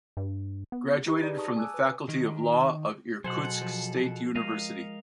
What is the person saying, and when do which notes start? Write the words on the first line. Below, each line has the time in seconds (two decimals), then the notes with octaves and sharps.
Graduated from the Faculty of Law of Irkutsk State University.
0.17 G2
0.72 B3
1.06 D#4 G4 B4 A#5 B5
1.23 G#4 D5
1.38 A5 C#6 D#6
1.56 G#5 C#6 D6 E6 F#6
1.74 B4
2.09 D#3
3.24 B2 F#3 G#4 A4 C5 F#5
3.61 F3
4.35 G#3 A#4 D#5 F5